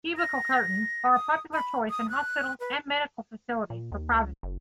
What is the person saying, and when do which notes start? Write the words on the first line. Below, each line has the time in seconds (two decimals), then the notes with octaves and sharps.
Cubicle curtains are a popular choice in hospitals and medical facilities for privacy.
0.17 A#6
1.14 D#6
1.53 B5
1.90 D#6
2.09 F#6
2.60 B4
3.70 A#2
3.92 D#2
4.12 C#2
4.43 F#1